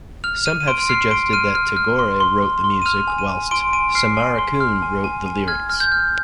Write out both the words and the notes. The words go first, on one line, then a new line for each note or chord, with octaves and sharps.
Some have suggested that Tagore wrote the music whilst Samarakoon wrote the lyrics.
F6 F7
F6 D#7
D#7
C6 D7
F6 C7
C6 D7
F6 D#7
F6
F6
C6
C6
C6
C6
D#7
F6 F7
G#5
D#7
G#5
C6 D7
G#5 D7
F6 C7
G#5
C6
F6
G#5
G#5
G#5
F6 G#6
F6
G6
F6